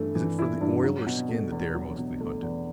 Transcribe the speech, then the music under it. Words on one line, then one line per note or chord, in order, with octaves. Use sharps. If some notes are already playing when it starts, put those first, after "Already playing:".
"Is it for the oil or skin that they are mostly hunted?"
Already playing: G2 E3 A3
E3
E4
G2
F#3
B2
A3
E2
F#3
B2
A3
E2